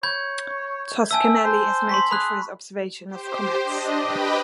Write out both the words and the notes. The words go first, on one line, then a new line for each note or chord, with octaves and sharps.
Toscanelli is noted for his observations of comets.
C#5 B5 G6 G#6
E5 G#5 A5 E6
C5
C6 C#6 B6
G#4 B5 F#6
G4 C5
D4 D#5
G4 B4 D#5 G5 B5